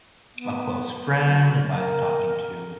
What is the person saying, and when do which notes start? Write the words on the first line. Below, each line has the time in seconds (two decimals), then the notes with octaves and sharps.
a close friend, if I was talking to
0.37 B3
1.21 F#3
1.71 A#4